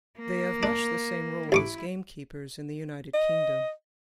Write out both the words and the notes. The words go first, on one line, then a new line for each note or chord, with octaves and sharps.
They have much the same role as gamekeepers in the United Kingdom.
A#3
D4
A1 E4 C#6 D6
D#5